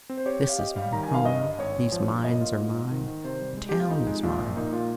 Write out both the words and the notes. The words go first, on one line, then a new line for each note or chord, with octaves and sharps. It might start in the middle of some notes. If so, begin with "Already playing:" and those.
This is my home, these mines are mine, the town is mine.
C4
C5
G4 C#5
G4
F5
G4 D#5
G3 F5
D#3 A#5
G#5
D#3
F5
G2 D#5
G2
G#1 C#5
G#1
F3
G2
A#3 D#5
F4
G#2
G#2
D#3
D#3
C3 C5
G3
G#3
G4
F2
F4
F2 D#4
G#3
A#1 F4
A#2
A#3 D#4
A#2 F4